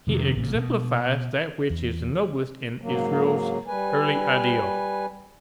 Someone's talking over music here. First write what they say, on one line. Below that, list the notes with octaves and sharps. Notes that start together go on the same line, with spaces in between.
He exemplifies that which is noblest in Israel's early ideals.
F2 C3 D#3
A1 A#2 C#3
B2
E2
G#2 C#3 F#3 A#3
G3 B4 G#5